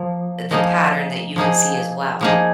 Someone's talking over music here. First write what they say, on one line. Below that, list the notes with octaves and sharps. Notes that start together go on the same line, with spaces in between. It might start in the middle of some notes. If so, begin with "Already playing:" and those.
the pattern that you can see as well,
Already playing: F3 A#3
F3 A#3 D#4 G#4
F3 A#3 D#4 G#4
F3 A#3 D#4 G#4